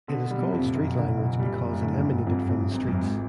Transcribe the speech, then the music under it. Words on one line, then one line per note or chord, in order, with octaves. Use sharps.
It is called street language because it emanated from the streets.
B2 D3
G3
C3
F2
A#2
F#1 B2
D3
F#1
A#2 G3
F#1
A2
D3
F#2
G2 D3
F2
F2
G#1
F#2
G#1
G#2